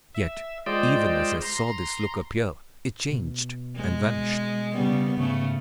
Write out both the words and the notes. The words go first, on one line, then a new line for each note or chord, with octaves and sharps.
Yet even as I saw this look appear it changed and vanished.
E5
G#3 F4 C5 D5 D#5 G5
A#5 C6
B2
G#3
C#3 G3 B3
G#2 C#3 A3